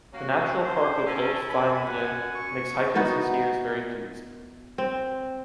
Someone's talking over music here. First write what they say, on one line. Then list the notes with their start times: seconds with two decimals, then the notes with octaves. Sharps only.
The natural park of Hautes-Fagnes makes hikers and skiers very pleased.
0.13 A#3 C#4 F#4
0.64 F#2 C#4 C5
1.06 C#4 E4 A5
1.49 F#2 G#5 B5
1.89 F#5
2.35 C#6
2.95 B3 D#4 E4 F#4
4.78 C4